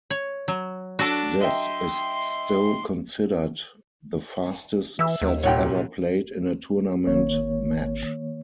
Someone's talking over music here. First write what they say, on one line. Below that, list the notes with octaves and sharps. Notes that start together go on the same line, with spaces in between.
This is still considered the fastest set ever played in a tournament match.
C#5
F#3
D4 F#4 A4
D#5 E5 G5 C6
E3 E5 E6
D#2
C2 A#2 G4 C#5 F#5 G5
G#1 D#3 A#3 C#5